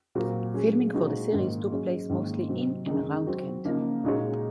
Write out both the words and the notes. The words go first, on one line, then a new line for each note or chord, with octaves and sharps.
Filming for the series took place mostly in and around Kent.
A#2 F#3 C4 F#4 A#4
F#3 C#4 G#4
A#2 G#3 D#4 F#4 C5
G#2 D#3 A#3
F#3 C#4 G#4
G#2 D#3 A#3
C3 F#3 C4
F#2 D#3 G#3 D#4
F#3 C4 F#4
C#3 F3 A#3 D#4
A#2 G#3 D#4 F#4 C#5